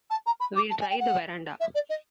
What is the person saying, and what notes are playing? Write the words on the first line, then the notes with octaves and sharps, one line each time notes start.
We'll try the verandah.
A5
A#5
B5
D6
A5
G#5
G5
F#5
E5
D5
D#5